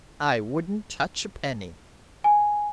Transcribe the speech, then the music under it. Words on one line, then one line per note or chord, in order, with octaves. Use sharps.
I wouldn't touch a penny.
G#5